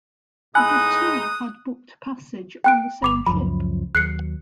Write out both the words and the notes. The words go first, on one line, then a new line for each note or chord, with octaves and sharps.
The two had booked passage on the same ship.
A2 G#3 D#4 G#5 B5 D#6 E6 F#6
G5 F#6 D7
G1 B5 D6 F7
C#2 F#2 F3 B5
D#2 F#3 F#6 C7 C#7